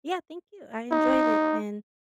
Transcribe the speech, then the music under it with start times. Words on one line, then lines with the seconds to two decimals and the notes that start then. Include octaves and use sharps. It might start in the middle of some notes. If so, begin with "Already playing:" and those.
Yeah, thank you, I enjoyed it, and
0.92 D#4